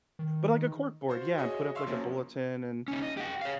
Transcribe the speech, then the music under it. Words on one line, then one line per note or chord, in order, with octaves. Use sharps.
But, like, a corkboard, yeah, and put up, like, a bulletin and,
D#3
F4 F#4 C5
F#4 G#4 C#5 D#5 E5
E5 F5 C6 C#6 E6
F#2 F3 F#3 A#3 B3 C#4
C#4 D#4
D#5
G4 F#5
C#5 F5